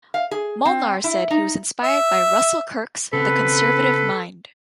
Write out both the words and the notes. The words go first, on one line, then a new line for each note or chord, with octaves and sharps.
Molnar said he was inspired by Russell Kirk's "The Conservative Mind".
F5
G#4
C4
E4
D#4
E5
C#3 B3 C4 A4 B4 B5